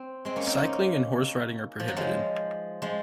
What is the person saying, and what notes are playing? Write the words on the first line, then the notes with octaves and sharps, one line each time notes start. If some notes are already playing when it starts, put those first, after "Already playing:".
Cycling and Horse Riding are prohibited.
Already playing: C4
G#3 C4
A#3 C#4
C4 D#4
A#3 C#4
F3
F#3
F3 G#3
F3 G#3